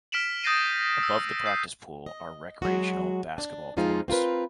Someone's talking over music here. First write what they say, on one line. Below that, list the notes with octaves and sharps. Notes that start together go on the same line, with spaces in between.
Above the Practice Pool are recreational basketball courts.
F6 B6 D7 E7 F#7
D#6 G6 A6 A#6 C7 D#7
E6
G6 C7
D#5
F#3 G#3 F#4
D4
F2 F3 G#3 D#4 F4
C4 F4 A#4 B4